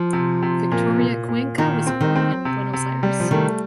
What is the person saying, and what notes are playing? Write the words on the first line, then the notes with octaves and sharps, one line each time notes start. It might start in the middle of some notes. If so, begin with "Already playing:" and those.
Victoria Cuenca was born in Buenos Aires.
Already playing: F3
C3
C3
A#2
A#2
A#2
A#2 D#3
C4
D#3
C4
C3
C3
G3
F3
D#3 A3